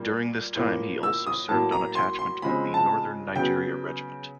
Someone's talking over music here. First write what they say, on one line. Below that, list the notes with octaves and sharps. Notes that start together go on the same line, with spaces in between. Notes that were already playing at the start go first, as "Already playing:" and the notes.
During this time he also served on attachment with the Northern Nigeria Regiment.
Already playing: A#2 G3 A#3
A2 F3 A#3
E6
D#6
A2 F#3 A#3 A5
A#5
C6
C6
C#3 F3 G#3 C4 B5
A5
C#3 F#3 B3 G5